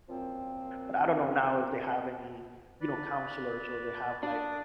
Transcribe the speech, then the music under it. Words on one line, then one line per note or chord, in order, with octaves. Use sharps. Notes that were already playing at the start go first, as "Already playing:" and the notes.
but I don't know now if they have any, you know, counselors or they have like,
F#2 A#2 F3 C4
B4 D5
D4 D6 D#6